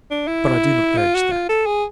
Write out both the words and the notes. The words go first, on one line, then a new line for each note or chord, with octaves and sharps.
But I do not urge that.
D4
E4
F4
F#4
F4
A4
G#4